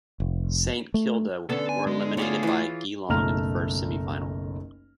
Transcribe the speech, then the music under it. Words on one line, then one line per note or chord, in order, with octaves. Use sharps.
Saint Kilda were eliminated by Geelong in the first semi-final.
F1
A3
D3 B3 C#4 A4
G#5
G#3
A3 F4 G#4 C#5 F#5
E3 F4
F#1 B1 A3 A#5 F6 F7